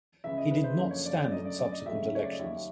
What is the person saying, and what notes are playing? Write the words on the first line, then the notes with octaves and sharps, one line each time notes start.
He did not stand in subsequent elections.
C#2 C#3 E3 E5
D#5
B4
C5
F#2 D3 F3 A#3
C#5
D5
D5
F#2 D3 F#3 A3 D#5
D5
D5
D#5
D#2 C#3 F#3 A3 E5
C#5
D5
D#5
D#2 D#3 F#3 E5